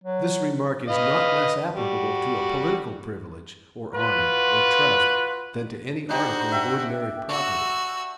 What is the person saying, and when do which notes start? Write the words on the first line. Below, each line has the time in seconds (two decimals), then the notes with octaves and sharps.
This remark is not less applicable to a political privilege, or honor, or trust, than to any article of ordinary property.
0.04 F#3
0.88 B4 D#5 F5
1.76 G3 F#4
3.93 F4 F#4 B4
6.09 D4 D#4 F#4 G4 C5
6.52 E5 G5
7.29 F#4 C#6 E6